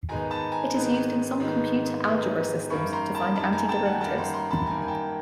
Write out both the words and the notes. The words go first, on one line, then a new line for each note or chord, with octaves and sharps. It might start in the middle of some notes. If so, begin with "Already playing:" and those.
It is used in some computer algebra systems to find antiderivatives.
G#2 D#3 G#3 B3 G#5 A#5
A5 B5
G#5 A#5
G#2 D#3 G#3 B3
G#2 D#3 G#3 B3
G#2 D#3 G#3 B3
F#2 D#3 G3 A#3 B5 C#6
A#5 C6
A5 B5
F#2 D#3 G3 A#3 A5 B5
G#5 A#5
G5 A5
F#5 G#5
F#2 D#3 G3 A#3 G5 A5
A#5 C6
A#5 C6
A5 B5
F#2 D#3 G3 A#3 G#5 A#5
G#5
G5 A5